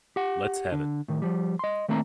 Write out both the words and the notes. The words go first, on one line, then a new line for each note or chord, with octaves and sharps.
Let's have it.
G4 F#5
D3
A2 D#3
F3 G3
D#5 C6
D#3 A3 A#3 C4 A#5